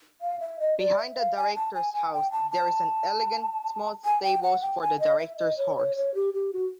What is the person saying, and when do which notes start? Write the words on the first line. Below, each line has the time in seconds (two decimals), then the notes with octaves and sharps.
Behind the Director's house there is an elegant, small stables for the Director's horses.
0.21 F5
0.40 E5
0.60 D#5
0.78 D5
0.98 E5
1.17 F5
1.36 G#5
1.55 A5
1.74 G#5
1.94 G#5
2.13 G5
2.32 A5
2.51 A5
4.05 G#5
4.23 G5
4.42 F#5
4.62 G5
4.81 G#5
5.00 D#5
5.19 E5
5.38 D#5
5.57 C#5
5.77 C#5
5.96 C#5
6.15 G4
6.34 G4
6.53 F#4